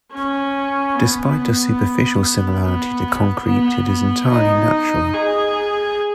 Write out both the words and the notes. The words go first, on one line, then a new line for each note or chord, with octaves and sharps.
Despite a superficial similarity to concrete it is entirely natural.
C#4
B3
B3
B3
D#4
G#4